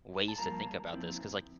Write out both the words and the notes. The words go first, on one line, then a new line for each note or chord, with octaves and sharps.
ways to think about this 'cause like,
A5
G2 F3 A#3 A#5
A#2 F3 C4 E4